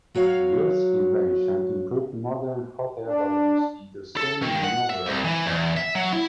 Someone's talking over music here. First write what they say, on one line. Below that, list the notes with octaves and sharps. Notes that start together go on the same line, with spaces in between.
Yost's invention improved modern hot-air balloons into semi-maneuverable aircraft.
F#3 F#4 C#5 F5
D4
A4
D#3
F#5
E5
C2
E3
E2
E5
F#3
E4